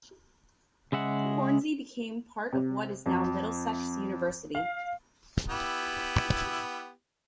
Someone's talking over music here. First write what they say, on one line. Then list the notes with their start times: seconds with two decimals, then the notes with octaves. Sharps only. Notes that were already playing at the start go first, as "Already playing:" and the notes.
Hornsey became part of what is now Middlesex University.
0.92 C#3 G#3 E5 F#5
2.53 C3
3.06 F2
4.55 F5
5.50 B3 E4 G4